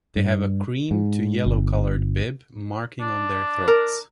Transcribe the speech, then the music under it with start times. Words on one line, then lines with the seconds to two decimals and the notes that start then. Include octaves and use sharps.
They have a cream to yellow coloured "bib" marking on their throats.
0.16 G2
0.91 G#2
1.46 G1
3.01 D4
3.68 A#4